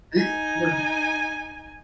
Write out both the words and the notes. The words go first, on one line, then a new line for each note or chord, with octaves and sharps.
Beat the coordinates.
D#4 G#5